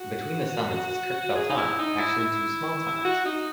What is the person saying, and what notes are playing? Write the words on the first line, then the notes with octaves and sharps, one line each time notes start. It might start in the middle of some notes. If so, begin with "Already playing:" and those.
Between the summits is Kirkfell Tarn, actually two small tarns.
Already playing: F#4
G#4
D#4
E4
D#4
E4
E4
F#4
D#4